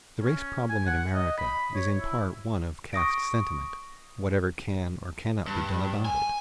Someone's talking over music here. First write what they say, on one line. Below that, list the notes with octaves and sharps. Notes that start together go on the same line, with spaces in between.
The race problem in America is in part one of caste sentiment, whatever can or cannot be done about it.
C#4
G#5
F#5
D#5
B5
C#5
E4
C#6 D#6 A#6 D7
G2
G#5